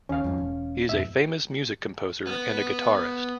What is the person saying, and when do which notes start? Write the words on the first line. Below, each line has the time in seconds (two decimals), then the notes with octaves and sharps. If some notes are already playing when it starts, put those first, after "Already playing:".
He is a famous music composer and a guitarist.
0.09 D#2 C#4 F5
0.24 F2 G#2
0.38 E1
0.89 F2 G#2 B2 E5
2.27 B3